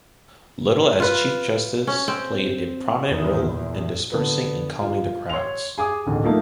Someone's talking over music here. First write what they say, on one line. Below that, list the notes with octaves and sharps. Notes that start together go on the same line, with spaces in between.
Little, as Chief Justice, played a prominent role in dispersing and calming the crowds.
F4 B4
C#4
C4
E2 D#3
E2 A#2
D3 B3
F4 F5
C#5 C6 F7
G#4 G#5 D6 D#6
E1 A1 D2 D#3
F3 A3 A#3 D#4